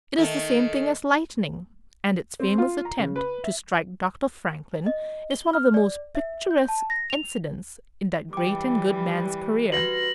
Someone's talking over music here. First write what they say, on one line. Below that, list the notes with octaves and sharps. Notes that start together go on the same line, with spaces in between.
It is the same thing as lightning, and its famous attempt to strike Dr. Franklin is one of the most picturesque incidents in that great and good man's career.
D#3 A3
C4
F4
A#5
C#3
B4
E5
D#5
G7
F6
D5
E5
G6
A5
A#6
F7
E3 G3 G5 D6
F#4 B4 A#6 F#7